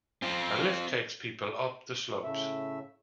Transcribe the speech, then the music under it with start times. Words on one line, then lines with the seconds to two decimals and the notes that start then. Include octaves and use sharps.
A lift takes people up the slopes.
0.22 C4 F4
2.23 A2 C#3 A3 E5